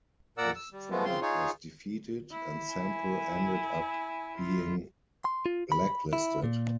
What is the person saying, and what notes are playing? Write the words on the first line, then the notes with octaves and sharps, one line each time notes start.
The strike was defeated and Semple ended up being blacklisted.
A#2 A#4 D5 F#5 E6
E6
G3
F3 G#3 A3 B3
C#3 C4 F4 C6
D#4 F4 G#4 C#5
E4
G#5
F4
C6
F4
B5
E4
A#2